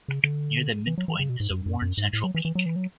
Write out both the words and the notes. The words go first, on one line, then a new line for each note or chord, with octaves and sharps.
Near the midpoint is a worn central peak.
C#3
D3
E3
F#3
E3
C#3
B2
G#2
F#2
F#2
F#2
G#2
A2
F#3
E3
E3
F#3
E3
F#3